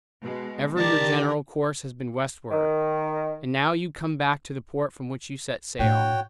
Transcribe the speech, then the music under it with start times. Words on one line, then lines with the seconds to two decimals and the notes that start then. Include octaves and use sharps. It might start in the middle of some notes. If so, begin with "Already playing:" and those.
Ever your general course has been westward; and now you come back to the port from which you set sail.
0.24 B2 G#3
0.77 D#3 G4 A#4 D5 A5
2.51 D#3
5.79 A2 D4 F#4 C#5 G5